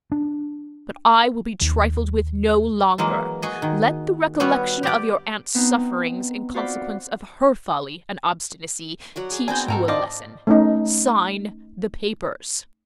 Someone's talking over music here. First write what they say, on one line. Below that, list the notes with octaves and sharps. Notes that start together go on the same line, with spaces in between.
But I will be trifled with no longer: let the recollection of your aunt's sufferings, in consequence of her folly and obstinacy, teach you a lesson.--Sign the papers.'
D4
D#2
E3 F#3 G#3 A#3
F#4 G#4 D#5
D#3
G3 B3 F#4 C#5
G4 D5
B3 C4 D#4
F4 F#4 C5 D5 F#5 B5
F#3 D5 F#5
G#4
B3 C4 D4 F#4 G#5 G6
G#2 A4 A#4 G5
C5 D5 D#5 F5 A5
A3 C#4 D#4